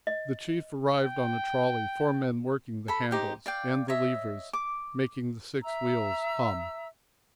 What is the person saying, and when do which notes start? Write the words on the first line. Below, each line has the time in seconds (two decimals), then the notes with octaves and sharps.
The Chief arrived on a trolley, four men working the handles and the levers making the six wheels hum.
0.07 D#5
1.05 G5
2.88 A4 B5
3.11 D#4 G4 C5
3.46 D5 F5 G5
3.88 C#5 D#5 E5
4.53 D6
5.63 E5 A#5 E6